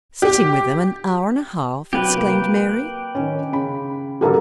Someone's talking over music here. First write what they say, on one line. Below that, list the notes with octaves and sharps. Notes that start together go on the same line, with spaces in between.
"Sitting with them an hour and a half!" exclaimed Mary.
G4
C3 F#3 G4 B4
A#3
D#3 C#4
C#3 B5
G#2 D3 F#3 G4 A4 A#4